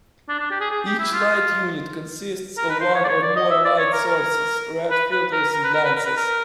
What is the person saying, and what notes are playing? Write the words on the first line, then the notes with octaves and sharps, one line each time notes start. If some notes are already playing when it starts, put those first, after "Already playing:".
Each light unit consists of one or more light sources, red filters and lenses.
D4
D4
G4
G#4
G#4
G4
E4
F4
A#4
B4
C5
C#5
D5
C#5
D5
D#5
E5
D5
C#5
A#4
A#4
B4
B4
A#4
A#4
B4
A#4
B4
A#4
B4
A#4